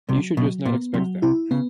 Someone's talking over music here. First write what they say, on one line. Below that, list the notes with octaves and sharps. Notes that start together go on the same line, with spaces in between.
You should just not expect that.
C2 C3 F#3
B1 B2 F#3
A#2 B3
C2 C3 F#3
C2 C3 E4
C#3 B3